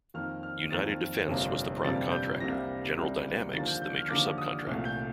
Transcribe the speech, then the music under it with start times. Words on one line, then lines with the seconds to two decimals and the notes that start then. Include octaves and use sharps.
United Defense was the prime contractor; General Dynamics the major subcontractor.
0.14 F2 D#3 A#3 F6
0.43 F6
0.70 F2 D#3 A#3 A6
1.27 G1 F2 C3 G3 A#3
1.84 G1 F2 C3 G3 A#3 A6
2.12 G6
2.40 C2 C3 G3 A#3 A#6
2.97 C2 C3 G3 A#3
3.53 D#2 D3 F3 A#3 A6
3.68 G6
3.82 G6
3.97 F6
4.10 D#2 D3 F3 A#3 D6
4.38 D#6
4.67 C2 A#2 A3
4.85 G6